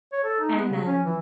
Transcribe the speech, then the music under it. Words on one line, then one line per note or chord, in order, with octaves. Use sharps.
And then,
C#5
A4
D#4
B3
C#3
C#4
E3